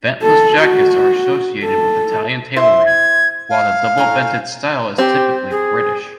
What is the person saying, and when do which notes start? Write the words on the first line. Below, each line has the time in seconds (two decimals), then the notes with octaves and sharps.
Ventless jackets are associated with Italian tailoring, while the double-vented style is typically British.
0.22 A4
0.61 F#4
1.64 A4
2.56 E4 C5 E5 C6
2.86 G#6
3.50 F5
3.98 A2 G#5 A#5
4.98 C4 G4
5.51 G#4